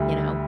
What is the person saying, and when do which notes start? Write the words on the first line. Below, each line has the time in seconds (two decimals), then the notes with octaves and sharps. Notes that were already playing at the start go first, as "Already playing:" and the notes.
you know,
Already playing: D2 G3